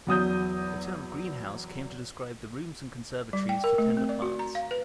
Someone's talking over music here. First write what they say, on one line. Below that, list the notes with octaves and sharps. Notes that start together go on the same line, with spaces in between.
The term greenhouse came to describe the rooms and conservatories for tender plants.
E2 F#3 D#6 G6
G3
G5
A#4
A3
C4
D5
F#4
A#5
F5
B4